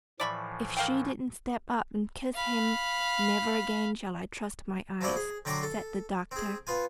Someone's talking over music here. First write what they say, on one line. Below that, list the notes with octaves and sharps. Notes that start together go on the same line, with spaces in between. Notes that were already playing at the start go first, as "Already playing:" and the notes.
"If she didn't step up and kiss him, never again shall I trust my eyes!" said the doctor.
A2 E3 F3 D5 B5 C#6
A#3 F5 G5
F5 B5
F3 F#3 E4 D5
G#4
D3 F#3 G5 A#5 C6 D6
A4
C4 G#4
B3 F4 G#5